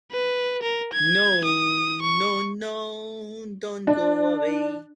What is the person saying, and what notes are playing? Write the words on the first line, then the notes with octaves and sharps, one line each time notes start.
No, no, no, don't go away.
B4
A#4
G#6
D#6
C#6
D4